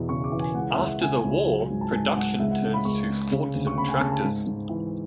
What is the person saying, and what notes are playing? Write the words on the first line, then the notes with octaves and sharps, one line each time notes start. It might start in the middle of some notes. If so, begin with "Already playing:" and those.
After the war, production turned to Fordson tractors.
Already playing: E2 B2 E3
C#3 C#6
D6
E3
G#5
C#2 F#5
E5
C#2
F#5
C#2 G#5
C#2
F#3
G#2
A5
G#2 G#5
G#2 F#5
C#2 E5
F#5
C#3
B5
C#2 C#6
C#3
C#3
D2
C#6
C#3 B5
G#5
C#3 A5
A5
G#2
G#2
E3